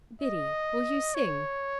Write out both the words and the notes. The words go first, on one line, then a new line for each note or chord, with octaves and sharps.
'Biddy, will you sing.
D#5
C#5